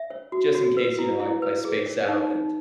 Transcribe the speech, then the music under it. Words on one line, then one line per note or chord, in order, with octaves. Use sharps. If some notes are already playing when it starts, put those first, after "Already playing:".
just in case, you know, I I space out and,
Already playing: E5
C#5
F#4
F#4
B4
E4
E4
B4
G#4
C#5
D#4
D#4